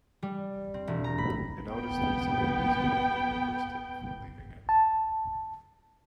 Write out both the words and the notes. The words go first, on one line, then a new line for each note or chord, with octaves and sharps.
I noticed that its occupants carefully reversed it before leaving it.
G3
C4
E1
A#5
B5
B3 G5
A5